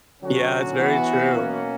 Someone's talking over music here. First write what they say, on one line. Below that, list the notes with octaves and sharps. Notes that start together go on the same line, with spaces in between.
Yeah, it's very true.
D3 F#3 C#4 F#4
E3 B3 F#4
B2 F#3 A#3 C#4